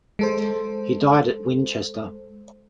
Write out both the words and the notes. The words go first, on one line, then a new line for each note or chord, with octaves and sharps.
He died at Winchester.
G#3 A4 C5